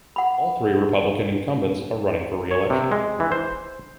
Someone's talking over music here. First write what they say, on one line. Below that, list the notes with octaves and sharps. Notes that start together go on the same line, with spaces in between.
All three Republican incumbents are running for reelection.
F#5 B5
C#5
C3
G#3
E3
C5